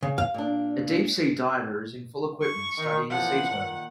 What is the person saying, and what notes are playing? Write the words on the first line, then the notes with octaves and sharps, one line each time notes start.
A deepsea diver is in full equipment studying a sea turtle.
C#3
F5
A#2 D4
C#6
D#3
A#2 E3 F3 F#5
A#2 D#3